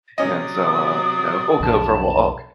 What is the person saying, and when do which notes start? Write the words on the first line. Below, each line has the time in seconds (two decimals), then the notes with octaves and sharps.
And so, uh, you know, we'll go for a walk.
0.18 C3 F#3 C#4 D5 D#5 D#6
1.60 B1 F2 D3 A5